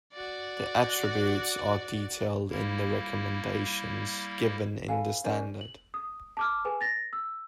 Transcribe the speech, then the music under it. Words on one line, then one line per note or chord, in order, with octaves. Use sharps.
The attributes are detailed in the recommendations given in the standard.
F#4 D5
G3 A#3 E4
A4 B4 F5 G#5
C#4 A#4 C5 D5
F#7
D#6
A5 D6 F6
G#4 B4 G#5
A6 A#6
E6